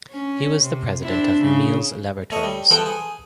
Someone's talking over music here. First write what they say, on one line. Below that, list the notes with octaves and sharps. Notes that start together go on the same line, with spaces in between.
He was the president of Miles Laboratories.
C#4
C3
C4 D4 E4
C#3
A3 C#5 D#5
G3
E2 F3 B3 A4 G5
G#4